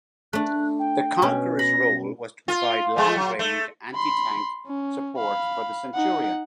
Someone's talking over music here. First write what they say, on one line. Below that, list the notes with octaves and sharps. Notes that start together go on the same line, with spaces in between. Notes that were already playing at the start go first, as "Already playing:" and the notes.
The Conqueror's role was to provide long range anti-tank support for the Centurion.
A3 D4 F#6
G5
B2 C#4
B5 A#6
F4
F3 G#3 A3
F#3
A3
B5 C6
C#4
F5 B5
D#4 F#5